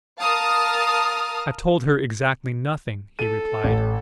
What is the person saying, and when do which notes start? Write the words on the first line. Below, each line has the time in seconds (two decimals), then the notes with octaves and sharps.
"I've told her exactly nothing," he replied.
0.20 A#4 F5 A5 D#6 F6
3.19 A4 D#7
3.64 A1